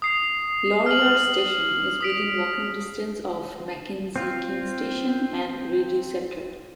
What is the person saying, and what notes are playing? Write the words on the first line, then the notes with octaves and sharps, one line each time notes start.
Laurier Station is within walking distance of Mackenzie King Station and the Rideau Centre.
D#6 C7
F6 F#7
D#6 B6 D7
C4 F4